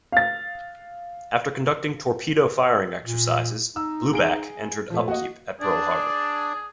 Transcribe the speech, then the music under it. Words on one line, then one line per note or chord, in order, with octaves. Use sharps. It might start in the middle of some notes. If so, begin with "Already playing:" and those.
After conducting torpedo firing exercises, "Blueback" entered upkeep at Pearl Harbor.
F5 A6
A#2
D#4 E6
G#4 D7 G7
A#2 F3 A3
A#3 F#4 D#5
D4 G#4 D5